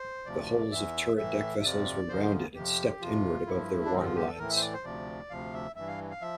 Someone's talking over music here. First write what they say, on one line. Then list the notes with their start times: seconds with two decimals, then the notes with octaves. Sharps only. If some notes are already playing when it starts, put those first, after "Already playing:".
The hulls of turret deck vessels were rounded and stepped inward above their waterlines.
Already playing: C5
0.26 D2 C3 F3 D5
0.72 E2 E3 E5
1.17 A2 E3 E5
1.63 F2 C3 F3 D5
2.09 D2 D3 F3 C5
2.55 F2 C3 F3 G4
3.01 F2 C3 F3 F4
3.47 G2 F3 E4
3.85 D4
3.92 G2 D3 F3 C4
4.04 F4
4.16 G4
4.27 A4
4.39 A2 E3 A#4
4.50 E5
4.56 C5
4.62 D5
4.73 C5
4.84 D2 C3 F3 D5
5.30 D2 C3 F3 F5
5.54 E5
5.76 G2 E3 E5
5.88 F5
6.11 F5
6.22 F3 E5